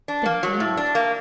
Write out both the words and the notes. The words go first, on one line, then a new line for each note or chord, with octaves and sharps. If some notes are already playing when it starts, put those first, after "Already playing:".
Then it ended.
D4
A#3
F#3
A2
D4
A#3